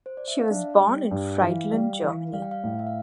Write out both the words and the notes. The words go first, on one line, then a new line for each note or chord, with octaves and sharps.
She was born in Friedland, Germany.
C5
D5
E5
F5
D4 G5
G3
G2
G5
E3 F5
G3
E3
G3 F5
G5
F5
A2
E5
F5